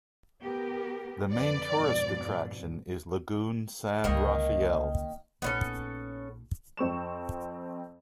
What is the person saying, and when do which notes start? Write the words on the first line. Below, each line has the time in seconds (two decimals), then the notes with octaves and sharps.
The main tourist attraction is Lagoon San Rafael.
0.42 B3 G4 A#4
1.33 F2 D3 B4 D5
1.76 F2 G#2 B2
4.04 C#2 D3 D#3 A#3 D#5
5.42 A#1 B3 C#4 D#4 A4
6.77 F2 C4 C#6 E7